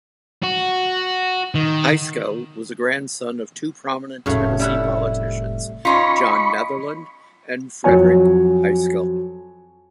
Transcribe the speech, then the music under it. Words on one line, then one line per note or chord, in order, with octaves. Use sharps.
Heiskell was a grandson of two prominent Tennessee politicians, John Netherland and Frederick Heiskell.
F#4
D#3
F1 A2 C#3 F#3 A3
G3 E4 F#5
C#4 D#4 F4 B5 C#6
F2 F#3 C#5 G#5